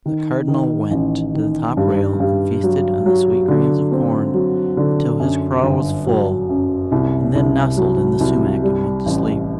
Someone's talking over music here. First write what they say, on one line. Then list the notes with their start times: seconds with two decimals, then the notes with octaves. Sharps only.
The Cardinal went to the top rail and feasted on the sweet grains of corn until his craw was full, and then nestled in the sumac and went to sleep.
0.06 D#3
0.48 D#3
0.91 A1
1.34 D#3
1.77 G2
2.20 G2
2.63 F#3
3.06 F#3
3.48 D3
3.92 C4
4.34 F#3
4.77 D3
5.20 F#2
5.63 G1
6.06 F#3
6.49 F#2
6.92 C2
7.35 C2
7.77 F#3
8.20 C2
8.63 G3
9.06 A1